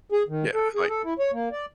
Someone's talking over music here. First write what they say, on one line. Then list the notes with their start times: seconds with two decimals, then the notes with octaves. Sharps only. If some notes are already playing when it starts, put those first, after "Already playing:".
Yeah, like
0.12 G#4
0.28 D#3
0.54 A4
0.75 G#4
0.89 A4
1.05 E4
1.19 C#5
1.33 A#3
1.52 D5